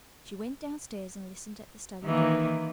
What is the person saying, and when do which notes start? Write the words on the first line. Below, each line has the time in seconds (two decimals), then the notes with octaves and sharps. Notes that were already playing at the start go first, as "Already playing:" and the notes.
She went down-stairs, and listened at the study door.
2.04 D#3 E3 A#3